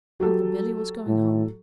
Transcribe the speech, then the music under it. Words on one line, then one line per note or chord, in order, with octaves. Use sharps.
Uncle Billy was going home.
F#3 G4 A4
A2